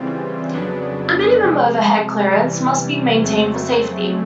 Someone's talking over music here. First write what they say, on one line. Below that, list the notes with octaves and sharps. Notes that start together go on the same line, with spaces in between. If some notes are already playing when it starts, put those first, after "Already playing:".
A minimum overhead clearance must be maintained for safety.
Already playing: C#3 E3 G3 C4 F4
F2 C#3 F#3 B3 D4
C3 F3 G#3
C3 E3 G3
F2 C#3 F#3 A3 C4